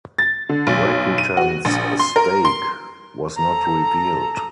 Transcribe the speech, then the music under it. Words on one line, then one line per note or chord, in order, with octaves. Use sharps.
Rakuten's stake was not revealed.
A6
D3
B1
D#7
F#4
A#1
C6
A#4
C6
A4 A#5